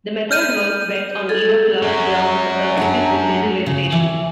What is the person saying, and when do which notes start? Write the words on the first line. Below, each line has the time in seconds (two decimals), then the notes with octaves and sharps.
The method works best on either ploughed ground or surfaces with little vegetation.
0.31 F6 G6 D#7
1.29 G#4 A4
1.82 F#2 F#3
2.77 D4 F#5 A#5
3.66 C#3
3.91 D#2 E3